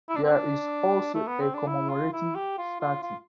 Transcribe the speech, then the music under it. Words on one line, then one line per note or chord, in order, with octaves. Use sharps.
There is also a commemorative statue.
E4
D4
C4
D4
A3
B3
C4
D4
E4
F4
E4
G4
F4
F4
F4